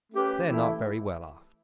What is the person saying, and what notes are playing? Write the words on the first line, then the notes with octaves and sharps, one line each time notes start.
They're not very well off.
A3 C#4 G4 B4
E3 A3 E4 A4